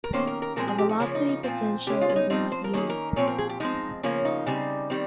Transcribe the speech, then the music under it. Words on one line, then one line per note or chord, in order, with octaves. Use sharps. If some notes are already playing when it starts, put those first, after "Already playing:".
A velocity potential is not unique.
A#4
D#3 A#3 C#4 C5
A#4
A#4
A#2 F3 G#3 C4 A#4
G#4
G4
D#4
C#3 F3 A#3 C#4
D#4
D#4
A#2 F3 C4 F4
C#3 G#3 C#4 G4
F4
C#4
D#4
F3 C4 D#4
C5
A#4
D#3 A#3 C#4 G#4
A#4
A#2 F3 C4 C#5
A#4
G#4
G4
F3 G#3 C4 D#4
C#3 F3 A#3 C#4
D#4
C#3 G3 C4
D#3 G3 C4